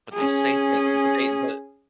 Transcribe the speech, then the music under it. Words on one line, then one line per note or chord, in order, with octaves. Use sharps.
But they say thing but they, but
C#4 G#4